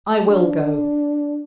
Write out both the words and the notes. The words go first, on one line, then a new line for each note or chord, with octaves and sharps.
'I will go.
D4